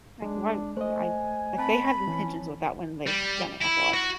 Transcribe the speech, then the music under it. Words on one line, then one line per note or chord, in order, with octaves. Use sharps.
Like, why I like, they had intentions with that when they s done it, I feel like.
G#3 D4
A3 C5 D#5 G#5
C4 A5 B5
E3 C#4
G3
E4
F#4